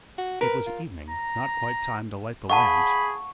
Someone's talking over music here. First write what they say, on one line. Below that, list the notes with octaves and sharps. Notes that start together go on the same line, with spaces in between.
It was evening; not quite time to light the lamps.
F#4
A#4 B4
F4
A#5
G#4 F5 F#5 A5 B5 C#6